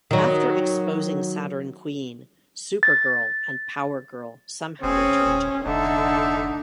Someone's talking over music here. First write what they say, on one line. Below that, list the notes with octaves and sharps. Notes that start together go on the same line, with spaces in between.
After exposing Saturn Queen, Supergirl and Power Girl somehow return to Earth.
D#3 F#3
A6
F1 C4 C#4 G#4 D#6
D#1
F1 D3 D#4 E5